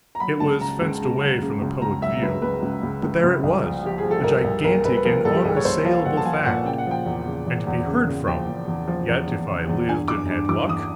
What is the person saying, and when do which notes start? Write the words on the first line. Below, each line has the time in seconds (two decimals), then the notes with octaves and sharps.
It was fenced away from the public view, but there it was, a gigantic and unassailable fact--and to be heard from, yet, if I lived and had luck.
0.15 A#5
0.20 F#3 B5
0.40 C#2 A5
0.61 C#3 A#5
0.81 C#2
1.02 C#3
1.21 F#3
1.42 C#3
1.62 C#2
1.82 C#2 A#5
2.02 F#3 E5
2.22 C#2 B4
2.42 C#2 B4
2.62 C#2
2.83 C#2
3.03 C#2
3.23 C#2
3.43 C2
3.63 F3
3.84 F3 G4
3.98 F3 G#4
4.11 A4
4.24 C2 A#4
4.44 C2
4.64 C2 A#4
4.84 C2 B4
4.97 B4
5.04 F3 A#4
5.25 C2 A4
5.35 G4
5.45 C2 G#4
5.56 C#5
5.65 C2 C5
5.85 F3 F5
6.05 C2 F#5
6.17 A5
6.26 F3 G#5
6.46 A#2 F#5
6.66 C#3 G5
6.78 F#5
6.87 F3 G5
7.06 E2
7.26 C#3
7.47 E2
7.67 E2
7.87 C#3
8.07 C#3
8.27 F3 G5
8.48 E2
8.68 E2
8.88 F3
9.08 E2
9.28 E2
9.48 C#3
9.68 E2
9.88 G2 G#5
10.08 G2 D6
10.29 G2
10.49 E3 D6
10.69 E3 D#6